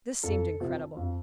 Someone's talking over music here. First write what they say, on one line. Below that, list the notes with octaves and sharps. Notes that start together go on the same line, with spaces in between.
This seemed incredible.
F2 A4
C3 F3
F2